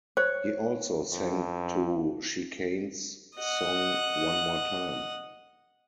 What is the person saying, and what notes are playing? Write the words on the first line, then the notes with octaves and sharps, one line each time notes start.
He also sang to Chicane's song "One More Time".
C5 C#5
F2
D#5 F#5